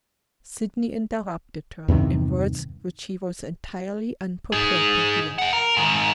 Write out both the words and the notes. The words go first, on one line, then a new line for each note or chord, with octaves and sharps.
Sydney interrupted her, in words which she was entirely unprepared to hear.
E2 G2 C3 D#3
D#4 G#4
G#4 F#5
A#4
G#2 D#3